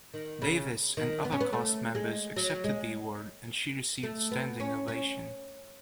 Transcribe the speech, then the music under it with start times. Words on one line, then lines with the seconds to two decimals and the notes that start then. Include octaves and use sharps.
Davis and other cast members accepted the award, and she received a standing ovation.
0.14 D#3
0.42 C#3
0.97 D#3
1.25 B3
1.32 C#4
1.40 B3
1.53 A3
1.95 G#3
2.36 F#3
2.64 G#3
4.03 A3
4.31 B3
4.60 C#4
4.88 C#4